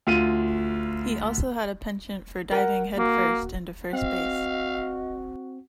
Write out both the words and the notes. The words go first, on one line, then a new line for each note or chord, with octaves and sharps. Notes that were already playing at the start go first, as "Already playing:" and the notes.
He also had a penchant for diving headfirst into first base.
D2 F4 D#7
A#4 F#5
A#3 F#4
C4 F#4 D#5 F5